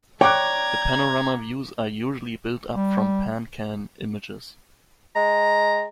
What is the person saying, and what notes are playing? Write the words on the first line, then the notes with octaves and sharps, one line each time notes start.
The panorama views are usually built up from PanCam images.
C#5 D5 G5 A#5 D6 F#6 G#6
G3
G#3 A#5